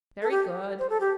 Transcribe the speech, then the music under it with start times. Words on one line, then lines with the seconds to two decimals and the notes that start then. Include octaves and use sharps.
Very good.
0.22 A4
0.31 G4
0.79 C5
0.90 A4
1.00 G4